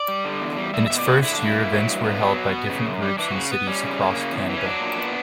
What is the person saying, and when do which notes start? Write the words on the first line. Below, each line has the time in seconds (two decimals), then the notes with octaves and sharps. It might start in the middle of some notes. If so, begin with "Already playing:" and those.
In its first year events were held by different groups in cities across Canada.
Already playing: D5
0.08 G3
0.25 D3
0.41 E2
0.57 G3
0.74 G3 E5
0.86 B2 E5
0.99 D5
1.06 B3 F#4
1.22 D3 E4
1.33 D4
1.39 G2
1.44 E4
1.55 A#3
1.72 F#3
1.88 G2
2.04 B3
2.21 F#3
2.37 B2
2.53 B3
2.69 C#3
2.86 F#2
3.02 G3
3.18 E3 D4
3.31 C#3 F#4
3.51 B3
3.67 G3 C#4
3.84 C#3
4.00 A#3
4.16 C#3
4.33 E2
4.49 E3
4.57 C#4
4.66 F#3 D4
4.81 A#2
4.98 B3